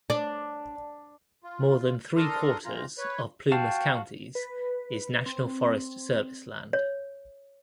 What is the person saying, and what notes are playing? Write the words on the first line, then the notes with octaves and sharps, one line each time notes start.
More than three-quarters of Plumas County's is National Forest Service land.
D4
F4
D4 A4 A#4 A#5 C6 D#6
F2 E3 F4 A#5
B4 C#5
F#4 F5 G5 A5
B4
C4
C#5